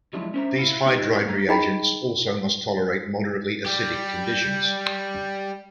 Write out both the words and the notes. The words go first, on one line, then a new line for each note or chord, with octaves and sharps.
These hydride reagents also must tolerate moderately acidic conditions.
F2 F#3 G#3 D4 E4 F4
C#4 D4 C5 D#5 E5 A#5
E4 F5
C4 D#4 F4 G4 D#5
A3 F5 A#5
D#4 G#4 D#5 G5 A#5 B5
G3 G4